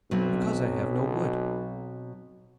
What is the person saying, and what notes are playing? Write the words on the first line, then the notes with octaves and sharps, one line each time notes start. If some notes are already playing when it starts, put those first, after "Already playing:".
"Because I have no wood."
B1 B2 F#3 C4